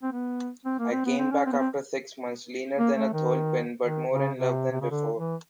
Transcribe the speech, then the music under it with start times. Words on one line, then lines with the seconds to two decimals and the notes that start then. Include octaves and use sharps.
I came back after six months, leaner than a thole pin, but more in love than before.
0.03 C4
0.12 B3
0.65 C4
0.79 A#3
0.92 C4
1.05 B3
1.19 C4
1.31 C#4
1.45 C4
1.52 B3
1.59 C4
2.78 A#3
2.96 A3
3.13 D#3
3.84 D#3
4.11 C#3
4.37 C3
4.71 C3
4.81 C#3
4.90 D3
5.17 E3